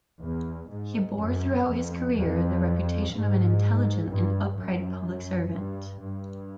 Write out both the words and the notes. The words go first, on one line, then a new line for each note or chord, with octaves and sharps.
He bore throughout his career the reputation of an intelligent and upright public servant.
E2
G#2
F#2
F2
F2
G#2
G2
F#2
G2
G2